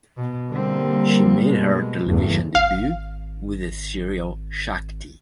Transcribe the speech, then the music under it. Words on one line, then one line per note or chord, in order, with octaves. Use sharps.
She made her television debut with the serial "Shakthi".
B2
D3 G3 A#3 C4
B2 G#3
F#1 E2 G2 A3
G#1 F5